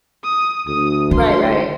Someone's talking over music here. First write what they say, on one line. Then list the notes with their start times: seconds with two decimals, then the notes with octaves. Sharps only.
Right, right.
0.24 D#6
0.67 D2 D#6
1.11 D3 C6